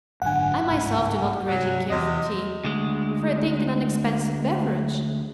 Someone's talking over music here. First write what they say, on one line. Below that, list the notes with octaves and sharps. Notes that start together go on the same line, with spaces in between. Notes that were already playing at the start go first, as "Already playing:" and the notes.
I myself do not greatly care for tea, for I think it an expensive beverage.
G#1 F#2 D3 F#5 G#5
G1 C#2 G#2
G2 C3 F#3
E2 C3 D#5
D2 G#3